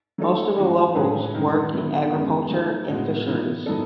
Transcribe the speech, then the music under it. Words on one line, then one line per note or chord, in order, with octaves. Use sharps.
Most of the locals work in agriculture and fisheries.
F#3 A3 D#4 A4
F#2 E3 G#3
A2 F#3 C#4 G#4 B4
F#2 D#3 G#3 D#4
F#3 B3 E4
F#2 C#3 G#3 B3
F#3 A3 D#4
A2 G#3 B3 F#4
E3 B3 D#4
A2 F#3 B3 D#4 A4